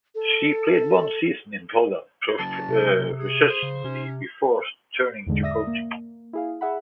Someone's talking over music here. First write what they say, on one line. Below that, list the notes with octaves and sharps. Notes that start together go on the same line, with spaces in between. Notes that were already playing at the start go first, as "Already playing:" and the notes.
She played one season in Poland professionally before turning to coaching.
A4
C#3 F#3 A5
C3
G#4
C5
C#3
C3 C#4
E2 G#2 D3 G#3
D5 E5 D#6 A#6
A#3
E4 G#4 F5
G#4 E5 F#5 B5